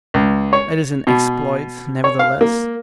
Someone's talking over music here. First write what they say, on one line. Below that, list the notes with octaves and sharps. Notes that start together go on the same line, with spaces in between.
"It is an exploit, nevertheless."
C#2
C#5
B2
C#5
F5
A#3